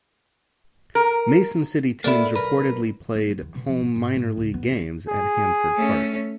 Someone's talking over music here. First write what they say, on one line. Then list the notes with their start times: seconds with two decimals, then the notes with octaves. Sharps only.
Mason City teams reportedly played home minor league games at Hanford Park.
0.95 A#4
2.04 A#3 B3 E4 A4 D5
2.36 B1 A#4 B4
3.15 A#3
3.30 G1
3.42 E2
3.55 B2
3.68 F3
3.81 G#2
3.96 G#2
4.15 G#2
4.37 C#2
4.54 B3
4.71 F#2
5.08 G#4
5.76 A3 C#4